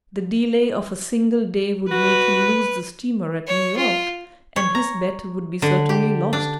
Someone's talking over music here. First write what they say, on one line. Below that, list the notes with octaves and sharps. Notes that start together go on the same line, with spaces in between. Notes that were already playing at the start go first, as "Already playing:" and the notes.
The delay of a single day would make him lose the steamer at New York, and his bet would be certainly lost.
F#4 B4
C#5
F4
C#5
A#5
D3
G4
D4